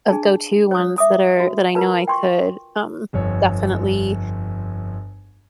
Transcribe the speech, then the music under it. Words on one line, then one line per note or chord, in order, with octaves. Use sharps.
of go-to ones that are that I know I could, um, definitely
D4 G#4 A5
C#5 D#6
E5 D6 D#6
F#4
F4 A#4 B4 A5
G5 C6 C#6
G1 F2 C#5